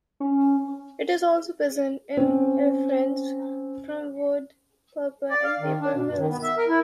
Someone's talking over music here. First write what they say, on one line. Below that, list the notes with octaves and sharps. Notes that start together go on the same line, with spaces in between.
It is also present in effluents from wood pulp and paper mills.
C#4
C4 C#4
D5
F5
D#3
D4
B2
G2
D#3
B3
E5
A#4
E4